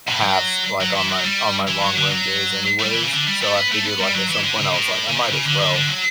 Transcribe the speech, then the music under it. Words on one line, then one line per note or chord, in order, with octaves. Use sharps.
halves, like, on my on my long run days anyways, so I figured, like, at some point I was like, "I might as well
B2
F#3
F#3
E3
F#3
G3
E3
F#3
D3
F#3
A3
G3
E3
C#3
D3
G3
A3
B3
A3
B3
G3
F#3
E3
D3
C#3
A2
C#3
B2
C#3
D3
D3
D3
F#3